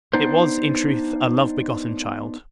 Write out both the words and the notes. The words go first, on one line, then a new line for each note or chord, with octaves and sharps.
It was, in truth, a love-begotten child!
B3 D4 D#4 B4 C5